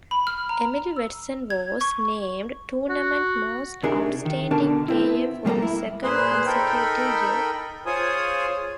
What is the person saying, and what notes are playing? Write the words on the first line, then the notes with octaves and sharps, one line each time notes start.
Emily Watson was named Tournament Most Outstanding Player for the second consecutive year.
B5
F6
A#5
E6
G#6
C#6
F#4
C3 D4 D#4 G#4 A#4
D#3
B2 D3 D4 A#4 A5
B3 C4 E4
B2 G3 A#3 A4 A#5
E4
A#2 A#3 G#4 B4 C5 C6
D#4 A4 A#4 G5 B5
F4 G#4 C5 C#5 G#5 D#6